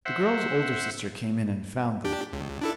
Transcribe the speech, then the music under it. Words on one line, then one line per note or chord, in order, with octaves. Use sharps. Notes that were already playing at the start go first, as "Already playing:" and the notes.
The girl's older sister came in and found them.
C5 E5 F#5
D4 G4
C#2
D4 E4 A4